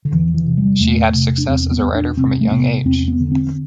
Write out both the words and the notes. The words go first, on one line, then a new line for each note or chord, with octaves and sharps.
She had success as a writer from a young age.
D3
E2 E3
E3
C3
G3
E2 A3
C3
D4
E2 C4
B3
E2
D4
C3 C4
A3
C3 B3
E2 C4
B3
D3
C4